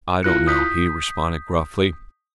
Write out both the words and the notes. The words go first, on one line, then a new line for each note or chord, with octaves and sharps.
"I don't know," he responded gruffly.
E4 F4 F#6 C#7
D#6 G6 B6